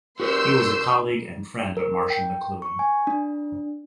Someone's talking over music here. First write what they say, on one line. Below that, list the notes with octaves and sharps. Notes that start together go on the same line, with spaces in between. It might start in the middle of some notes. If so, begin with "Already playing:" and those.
He was a colleague and friend of Marshall McLuhan.
F#4 A#4 B4 C6 E6 G6
A#4
G5
C#6
G#5
D4